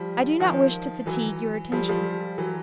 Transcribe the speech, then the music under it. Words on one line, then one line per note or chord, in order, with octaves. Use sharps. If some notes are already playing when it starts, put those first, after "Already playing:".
I do not wish to fatigue your attention.
Already playing: F3 G3
D#3 F3
E3 F#3
F3 G3
F3 G3
E3 F#3